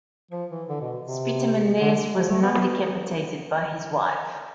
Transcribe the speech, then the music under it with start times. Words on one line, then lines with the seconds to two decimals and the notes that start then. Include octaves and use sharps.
Spitamenes was not decapitated by his wife.
0.31 F3
0.50 E3
0.69 D3
0.81 B2
1.06 C3
1.80 D3
2.18 F3
2.29 A3
2.42 B3